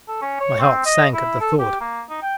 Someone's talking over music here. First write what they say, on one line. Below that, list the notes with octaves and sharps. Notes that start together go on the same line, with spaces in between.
My heart sank at the thought.
A4
C#4
C#5
C4
D#5
E4
A4
G4
A#3
D#4
G5